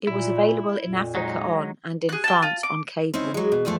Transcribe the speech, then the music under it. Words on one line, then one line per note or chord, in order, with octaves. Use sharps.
It was available in Africa on and in France on cable.
A#2 E4
F2 A#2
F#3 G#3 D#4
G#4 F#6
G5 A5
F4
D6
C4 C#4 D#4 E4
F#3 G#3
B2
E2 G2 F3 A3